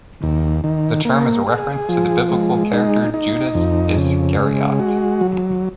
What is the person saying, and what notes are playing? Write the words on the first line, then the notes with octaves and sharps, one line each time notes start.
The term is a reference to the biblical character Judas Iscariot.
D#2
D#3
A#3
G#4
F3
G#3
D#4
D#4
F2
C#3
G#3
F#4
F#3